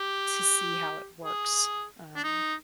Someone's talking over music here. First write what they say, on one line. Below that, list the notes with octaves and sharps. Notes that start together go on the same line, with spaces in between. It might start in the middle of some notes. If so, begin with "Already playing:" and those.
to see how it works, um
Already playing: G4
G#4
D4
D#4